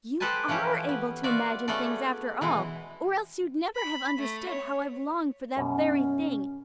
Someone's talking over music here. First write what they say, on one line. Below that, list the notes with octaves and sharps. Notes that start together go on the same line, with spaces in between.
You ARE able to imagine things after all or else you'd never have understood how I've longed for that very thing.
G4 A4 B4 C5 G#5 A5
E3 F3 C#4 E4 G4
B3
F4 F#4 D5 E5
A3 B3 C#4 G#4 A4 D5
B2 E3 G#3 E4
B5
A3
C#5
F#2 B2 G3 C#4